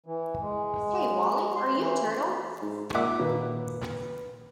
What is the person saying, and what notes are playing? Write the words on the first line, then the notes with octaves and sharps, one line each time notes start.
Hey, Wally, are you a turtle?
E3
G#3
C6
E3
G#2
A#2 E5 F#5 D6
A#2 D#3 A#3 B4